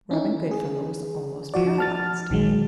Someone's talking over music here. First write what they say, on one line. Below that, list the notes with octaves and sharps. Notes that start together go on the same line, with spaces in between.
Robin Goodfellow was almost paralyzed.
C#4 D#4 E4
G#4
F3 F#4 D5
A5 F6 A6
A#1 D#3 F#3 G#3